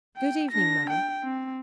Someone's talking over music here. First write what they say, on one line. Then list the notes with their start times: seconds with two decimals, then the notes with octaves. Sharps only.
'Good evening, Mother.'
0.17 G5
0.51 D4 A#6
0.90 G5
1.24 C4